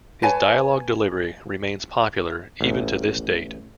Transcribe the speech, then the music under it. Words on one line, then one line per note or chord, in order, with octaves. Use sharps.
His dialogue delivery remains popular even to this date.
B4 C#5 G#5 A5
A1 E2